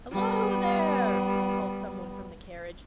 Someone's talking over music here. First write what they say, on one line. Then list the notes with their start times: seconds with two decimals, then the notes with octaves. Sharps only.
"Hello there!" called someone from the carriage.
0.12 G3 B3